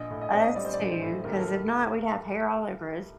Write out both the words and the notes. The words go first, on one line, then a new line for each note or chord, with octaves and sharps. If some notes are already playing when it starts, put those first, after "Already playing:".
Us too, 'cause if not, we'd have hair all over us.
Already playing: A#1 D#5
A2
D#5
C4 D5
D#5
G3 D5
C5
D5
A#1
C5
A2
D#2 A#4
A4
A#4